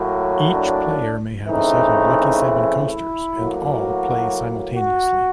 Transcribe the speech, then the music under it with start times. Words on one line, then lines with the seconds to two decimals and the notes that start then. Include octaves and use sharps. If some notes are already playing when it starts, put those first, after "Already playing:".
Each player may have a set of Lucky Seven coasters and all play simultaneously.
Already playing: A2 F#3 A#3
0.52 D4
1.45 C#3 E3 A3 C4 D#4
2.86 E4
3.34 A2 F#3 A#3
3.80 F#4
4.74 F#4